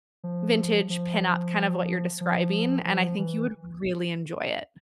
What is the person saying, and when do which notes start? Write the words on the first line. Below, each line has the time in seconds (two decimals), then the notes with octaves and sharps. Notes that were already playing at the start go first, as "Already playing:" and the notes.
vintage pin-up, kind of what you're describing, and I think you would really enjoy it.
0.24 F3
0.90 F3
2.21 F3
2.85 F3
3.19 E3